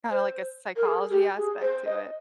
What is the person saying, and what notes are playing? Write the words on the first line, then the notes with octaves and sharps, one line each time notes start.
kinda like a psychology aspect to it.
C5
A#4
G#4
G4
G#4
C5
D#5